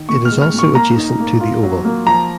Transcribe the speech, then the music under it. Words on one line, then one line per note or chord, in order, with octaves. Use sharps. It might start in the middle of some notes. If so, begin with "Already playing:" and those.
It is also adjacent to the oval.
Already playing: D#3
A#2 C#6
F6
G#3
F6
A#2
C#6
A#3 A#5
D#4
A#3
F4
F#3
A#3
F3 A#5